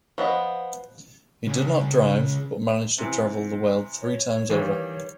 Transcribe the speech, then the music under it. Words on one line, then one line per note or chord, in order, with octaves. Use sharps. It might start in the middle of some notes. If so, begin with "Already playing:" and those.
He did not drive but managed to travel the world three times over.
F3 B3 D#5
C#2
C3 E3
C#5
D#3 E3 G3 A#3